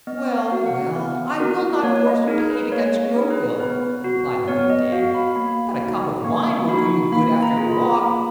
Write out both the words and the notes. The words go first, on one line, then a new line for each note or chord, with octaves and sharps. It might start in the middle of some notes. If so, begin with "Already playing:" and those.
"Well, well, I will not force you to eat against your will," replied the good dame "But a cup of wine will do you good after your walk."
B3 D#5
F5
F#4
F#5
B3
F#4 A#4
A#3 C#5
D#5
D#4 G#4 A#4
B4
A#3 C#5
C#5
D#4 G#4
B4
B3 B4
F#4
B3 C#5
D#5
F#4 F5
B5
A#3 B5
D#4 F#4
A#3 C#6
D#4 F#4 B5
A#3 B5
A#5
F4 G#4
B5
A#3 B5